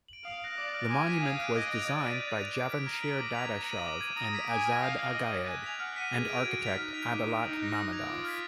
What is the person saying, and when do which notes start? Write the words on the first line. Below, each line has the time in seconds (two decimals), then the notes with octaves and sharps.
The monument was designed by Javanshir Dadashov and Azad Agayed, and architect Adalat Mammadov.
0.08 D7 F#7
0.25 F5 D#6
0.42 F#6 A#6 D7 F#7
0.58 D5 D6
0.74 F6 A#6 D7
0.90 G#5 D6
1.07 G#6 B6 D#7
1.23 F5 D#6
1.39 F#6 D7
1.56 D#5 G#6
1.73 D7 F7
1.88 D5 G#6
2.05 B6 D#7
2.21 F#6
2.38 D7 F7
2.53 D6
2.70 F6 B6 D7
2.86 A#5 G#6
3.02 B6 D7 F#7
3.19 A#5 D6
3.35 G#6 B6 F7
3.51 G#6
3.68 D#7 F#7
3.84 D6
4.01 G#6 D#7
4.17 A#5 D#6
4.33 G#6 B6 D7
4.49 G#5 D6
4.65 F6
4.70 A#6
4.82 F5 F6
4.98 A#6 D7 F#7
5.14 D#5 D#6
5.30 G#6
5.36 B6
5.47 G#5 F#6
5.63 B6 F7
5.80 F#5 F6
5.96 B6 D#7
6.13 G#4 G#6
6.28 D7 F7
6.45 F#4 G#6
6.61 F7
6.66 B6
6.77 D#4 F6
6.94 B6 F7
7.10 D#4 D6
7.27 F6 B6
7.43 D#4 D#6
7.59 F#6 A#6
7.76 D#6
7.92 G#6 D7 F7
8.08 F4 D6
8.24 F6 G#6 B6